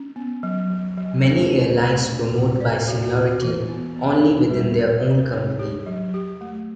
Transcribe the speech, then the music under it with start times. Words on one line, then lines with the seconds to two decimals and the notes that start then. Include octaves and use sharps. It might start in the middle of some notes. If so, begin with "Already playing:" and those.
Many airlines promote by seniority only within their own company.
Already playing: C#4
0.16 B3
0.43 F#3
0.70 F#3
0.98 F#3
1.25 A3
1.52 D3
1.79 A3
2.06 D4
2.33 F#4
2.60 D5
2.88 F#4
3.15 F#4
3.42 E3
3.69 B3
3.96 B3
4.23 E3
4.50 G3
4.78 G3
5.05 G4
5.32 C#5
5.59 G4
5.86 F#3
6.14 G4
6.41 A3